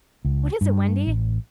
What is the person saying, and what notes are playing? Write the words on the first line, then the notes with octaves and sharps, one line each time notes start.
"What is it, Wendy?"
C#2
G2
A1